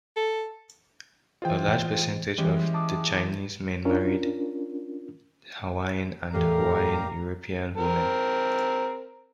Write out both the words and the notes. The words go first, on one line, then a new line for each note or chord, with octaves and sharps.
A large percentage of the Chinese men married Hawaiian and Hawaiian European women.
A4
E3 F4 G#4 C5 D#5 G5
E3 G3 G#3 C#4 G4 G#6
A5 D6 D#6
C#4 D4 F4 A#4
E2 A2 G3 G4 A4 A#4 F5 A#5
C4 A#4